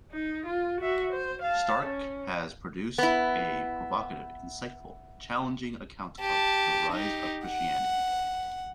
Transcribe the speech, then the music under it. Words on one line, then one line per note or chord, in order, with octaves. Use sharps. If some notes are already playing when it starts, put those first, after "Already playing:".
Stark has produced a provocative, insightful, challenging account of the rise of Christianity.
D#4
F4
F#4 E5
C5
F5 A5
C#4
B3 E4
G4 A5
D#4 G4
F#5